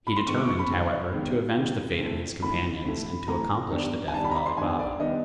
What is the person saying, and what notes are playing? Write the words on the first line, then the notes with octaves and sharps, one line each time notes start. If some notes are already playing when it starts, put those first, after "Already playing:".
He determined, however, to avenge the fate of his companions, and to accomplish the death of Ali Baba.
B5
C6
C3 D#3 G#3 B3 C#6
D6
C#6
B5
C3 D#3 G#3 B3
C3 D#3 G#3 B3
C3 D#3 G#3 B3
D2 C3 E3 A3
D2 C3 E3 A3 B5
D2 C3 E3 A3
D2 C3 E3 A3 A#5
G2 D#3 G3 B3 D4
G#5
G2 D#3 G3 B3 D4 A5
B5
A#5
B5
C6
G2 D#3 G3 B3 D4 G#5
D5
D#3 G3 B3 D4 D#5